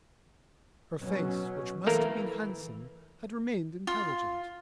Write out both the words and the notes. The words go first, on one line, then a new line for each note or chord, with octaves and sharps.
Her face, which must have been handsome, had remained intelligent.
B2 F#3 C#4
E3 A3 A#3 A#4
F4